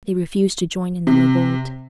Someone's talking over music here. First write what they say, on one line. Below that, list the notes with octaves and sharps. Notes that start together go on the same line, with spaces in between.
They refused to join in the revolt.
C3